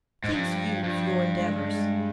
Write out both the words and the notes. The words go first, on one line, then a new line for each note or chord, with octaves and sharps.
Please use your endeavors.
G#2
G2 F3
G2
G#3